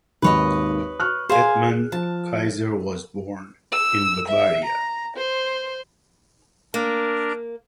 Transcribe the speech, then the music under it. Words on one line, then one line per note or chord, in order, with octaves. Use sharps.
Edmund Kayser was born in Bavaria.
G#1 D#2 B4 C#5 D#5
C#6 F6 F#6
G#4 C5 F5 G#5
F3 A5
E6
E5
A#5
C5
A#3 D4 A#4